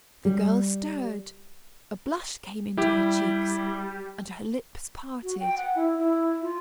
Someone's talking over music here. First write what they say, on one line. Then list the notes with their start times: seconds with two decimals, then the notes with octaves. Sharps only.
The girl stirred, a blush came into her cheeks, and her lips parted.
0.25 G3
2.77 G3 E4 G4
5.23 F#4
5.40 G5
5.58 F#5
5.76 E4
5.98 E4
6.42 F4